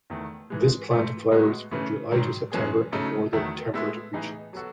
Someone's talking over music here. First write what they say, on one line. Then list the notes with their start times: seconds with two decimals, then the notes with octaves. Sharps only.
This plant flowers from July to September in northern temperate regions.
0.10 E2 D#3 A3
0.50 G#2 E3 G#3
0.91 G#2 E3 A3
1.31 A2 G#3 B3 D#4 F#4
1.71 C#3 E3 A3
2.11 G#2 D#3 F#3
2.52 F#2 E3 G#3 C#4 G#4
2.92 C#3 F#3 A3 D#4 A4
3.33 E2 D#3 F#3 A3 E4
3.73 A2 G#3 B3 E4 A4
4.13 A2 E3 B3 D#4 G#4
4.53 F#3 B3 F#4 A4